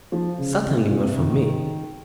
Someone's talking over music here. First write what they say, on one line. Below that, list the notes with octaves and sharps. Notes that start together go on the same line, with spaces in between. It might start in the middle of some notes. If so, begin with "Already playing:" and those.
Certainly not from me.
F3
C#3
C3
A#2
C3
D#3
D#3